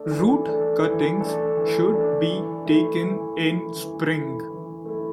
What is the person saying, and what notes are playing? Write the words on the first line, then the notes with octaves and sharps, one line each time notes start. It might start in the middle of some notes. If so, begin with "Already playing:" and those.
Root cuttings should be taken in spring.
Already playing: A3 D4 A4
E3
A3 D4 A4
E3
A3 D4 A4
E3
A3 D4 A4
E3
A3 E4
E3
A3 E4
E3
A3 E4
E3
A3 E4